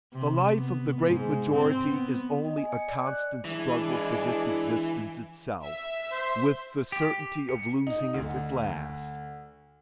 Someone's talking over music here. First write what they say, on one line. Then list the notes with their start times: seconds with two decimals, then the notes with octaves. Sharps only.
The life of the great majority is only a constant struggle for this existence itself, with the certainty of losing it at last.
0.13 C3
0.57 B3
1.05 G#2
1.54 C4
1.87 B3
2.45 D#5
2.58 G#5
2.72 C#7
2.88 D5
3.07 F#6
3.45 E3 G#3 D4
5.63 E5
6.12 C5
6.92 G4
7.49 C#7
7.87 D#4
8.14 D2